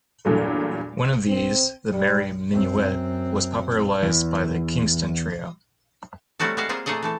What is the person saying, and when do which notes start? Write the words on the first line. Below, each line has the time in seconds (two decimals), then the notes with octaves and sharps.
One of these, "The Merry Minuet", was popularized by the Kingston Trio.
0.25 E2 G2 A#2 F#3 A3
1.29 C4
1.92 G3
2.52 F#2 C4
4.03 E2
6.39 F#3 G3 A3 C4 F#4 A4
6.57 G3 G#3 F#4 E5 F5
6.69 A#3 C4 F4 G#4 C5
6.86 A#2 A3 A#3 G#4 A4 D#5
7.02 E3 A3 A4